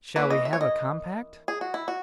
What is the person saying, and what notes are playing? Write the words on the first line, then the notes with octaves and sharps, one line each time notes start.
Shall we have a compact?
E3 A#3 C#4 B4
D#5
E5
C#5
D#5
G#4
F#4
E4
F#4